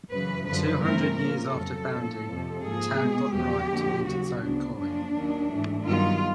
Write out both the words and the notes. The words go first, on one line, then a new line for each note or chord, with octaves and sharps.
Two hundred years after founding, the town got the right to mint its own coin.
F#2 C#3 E3 B4
F#2 D3 F3 B4
G2 E3 A3 C4 A#4
A2 F3 A#3 C#4 A#4
F2 C#3 F#3 A4
A2 F3 A#3 C#4
F2 C3 F3
G#2 F3 A#3 G#4
B2 G#3 B3
E2 C#3 F3 G4
F2 D3 F3 A#3
D#2 C#3 F#3 F#4
D2 C#3 F#3 B3 D4
F#2 C#3 F3 A#3 C#4 D4
D#2 D#3 F#3 A#3 C#4
G#2 E3 A3
G2 D#3 F#3 B3 F4